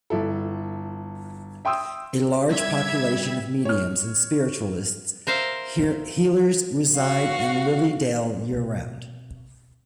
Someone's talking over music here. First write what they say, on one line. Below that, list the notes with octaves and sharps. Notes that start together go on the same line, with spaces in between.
A large population of mediums and Spiritualist healers reside in Lily Dale year round.
G1 E4 A4
E5 G5 C6 D#6 E6
G3 E5 G#6
C#5 F6
A#4 C5 E5 F5
F#4 F5
B2 C4